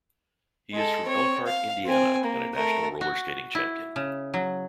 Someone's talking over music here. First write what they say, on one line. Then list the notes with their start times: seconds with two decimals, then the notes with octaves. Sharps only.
He is from Elkhart, Indiana and a national roller skating champion.
0.74 G#3 A4
1.05 C4 C#5
1.47 F5
1.86 C4 G#5
2.24 A#3
2.54 A3 A#4
3.01 F#4
3.55 E4
3.96 C#3
4.34 F#3